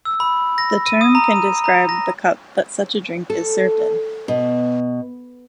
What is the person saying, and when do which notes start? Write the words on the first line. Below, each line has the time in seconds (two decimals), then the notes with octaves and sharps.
The term can describe the cup that such a drink is served in.
0.05 E6
0.20 B5
0.58 A#6
0.86 D#7
1.01 D#6
1.15 A#5
1.36 D#7
1.64 A#5
1.89 A#6
3.30 A4
4.28 B2